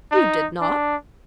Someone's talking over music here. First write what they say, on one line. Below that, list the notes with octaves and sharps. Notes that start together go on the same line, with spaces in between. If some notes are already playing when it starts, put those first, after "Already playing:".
"You did not."
D#4
D4